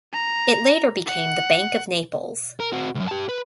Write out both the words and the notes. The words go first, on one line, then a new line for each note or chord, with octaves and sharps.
It later became the Bank of Naples.
A#5
F#5
A#4
C4 F#4
C#2 F#2
G4 A5
B4